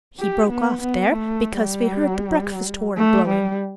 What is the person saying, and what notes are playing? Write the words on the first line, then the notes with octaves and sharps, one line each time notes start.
He broke off there, because we heard the breakfast-horn blowing.
G4
B3
B3
A3
G3
A3
G3